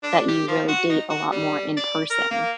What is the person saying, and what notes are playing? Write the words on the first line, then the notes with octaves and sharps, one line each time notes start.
that you really date a lot more in person?
D4
G4
F3
F#4
D#4
F#4
G3
D5
A#4
A#3